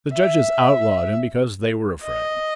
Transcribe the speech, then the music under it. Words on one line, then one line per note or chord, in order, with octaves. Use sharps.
The judges outlawed him because they were afraid.
E5
D#5